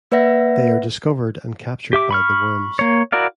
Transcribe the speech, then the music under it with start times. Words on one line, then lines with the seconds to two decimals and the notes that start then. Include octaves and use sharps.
They are discovered and captured by the worms.
0.12 A#3 B4 D5 E5 F#5 A#6
1.93 G4 E5 D6
2.11 B5 C#6 F6
2.79 A#3 C#5
3.12 E4 F#4 A#4 D5 F5